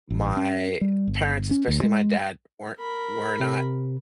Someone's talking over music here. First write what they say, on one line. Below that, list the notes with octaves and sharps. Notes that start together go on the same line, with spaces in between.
my parents, especially my dad, weren't were not
A1
C#4
G3
G1
C#4
D2
G#3
A#4 B5
C3